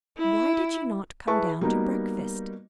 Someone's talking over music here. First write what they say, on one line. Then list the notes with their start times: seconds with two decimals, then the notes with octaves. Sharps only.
Why did you not come down to breakfast?
0.18 E4
1.27 E4 G#4 B4 E5 A5 C#6
1.61 G3 A#3 B3 D#4 F#4